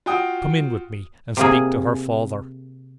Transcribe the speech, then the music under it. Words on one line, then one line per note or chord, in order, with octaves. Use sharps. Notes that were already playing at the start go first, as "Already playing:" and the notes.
'Come in with me, and speak to her father.'
F4 F#4 G5 D#6
C3 A#3 G#4